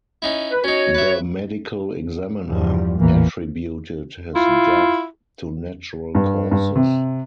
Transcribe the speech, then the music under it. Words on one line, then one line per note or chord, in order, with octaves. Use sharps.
The medical examiner attributed his death to natural causes.
C#4 D#4 E4
B4
C#4 D#4 F#4 C#5
B4 E5
E2 G2 F3 G3
A1 E2 A#2 E3 A#3
E4 F4
G2
G2
C3